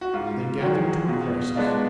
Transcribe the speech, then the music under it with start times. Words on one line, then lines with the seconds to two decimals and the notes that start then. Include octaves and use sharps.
They gathered to a crisis.
0.01 F#4
0.14 G#2 F4
0.61 D#3 F#3 F#4
0.75 G#4
0.88 F#4
1.08 B2 F4
1.55 G#3 B3 D4 D#4 F4